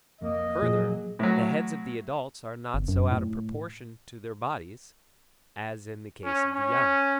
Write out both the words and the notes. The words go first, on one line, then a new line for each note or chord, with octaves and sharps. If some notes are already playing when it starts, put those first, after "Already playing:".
Further, the heads of the adults are not so out of proportion to their bodies as in the case of the young.
C2 F2 A#3 D#5
A#2 F3 F#3 A#3 G#4
A2 F#3
G1
F#2
A2
C#4
C#4